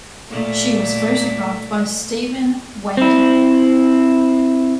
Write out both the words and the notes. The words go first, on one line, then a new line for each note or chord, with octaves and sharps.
She was photographed by Stephen Wayda.
A#2 A3
C4 E4